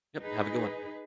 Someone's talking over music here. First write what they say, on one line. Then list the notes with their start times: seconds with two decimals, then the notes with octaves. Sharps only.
Yep, have a good one.
0.20 D#4 G#4 B4